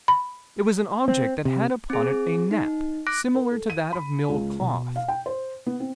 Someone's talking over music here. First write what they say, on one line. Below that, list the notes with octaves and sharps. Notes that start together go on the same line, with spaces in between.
It was an object that had upon it a nap, similar to that of milled cloth.
B5
C4
C3
C4 G#4
D#4
D6 F#6 A#6 D7
A#4
A4
D#7
B5
C#2
B2
F5
G5
C5
B3
C4